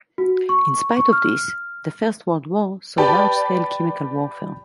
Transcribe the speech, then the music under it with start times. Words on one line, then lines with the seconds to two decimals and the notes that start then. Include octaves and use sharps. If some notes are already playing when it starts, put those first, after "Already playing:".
In spite of this, the First World War saw large-scale chemical warfare.
0.18 F#4
0.49 C#6
0.97 C#6
1.13 F6
2.98 G4 B4 D5 G5 A5